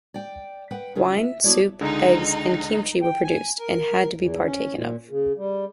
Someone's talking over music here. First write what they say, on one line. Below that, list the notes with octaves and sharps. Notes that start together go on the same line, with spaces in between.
Wine, soup, eggs, and kimchi were produced, and had to be partaken of.
D5 G5
B4 F#5 G5
C#3 C#4 F4
E5
B3 E4 F#4 A4 C#5 D5
C#2 D3 G#3 D#4
G5
G#5
A#4
E2
C#4
A#2
C#3
G3